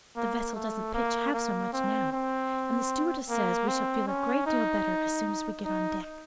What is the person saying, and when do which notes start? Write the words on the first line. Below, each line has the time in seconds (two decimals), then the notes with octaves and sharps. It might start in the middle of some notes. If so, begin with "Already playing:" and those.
The vessel doesn't pitch half so much now, and the stewardess says we shall feel a great deal better as soon as we get on deck.
0.16 A#3
0.55 A3
0.94 A#3
1.34 A#3
1.73 C4
2.12 C4
3.30 A#3
3.68 C4
4.07 C#4
4.47 D#4
5.65 D#4